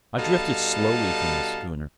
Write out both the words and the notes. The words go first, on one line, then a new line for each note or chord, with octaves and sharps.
I drifted slowly from the schooner.
B2 G3 D#4 A4 F5 A5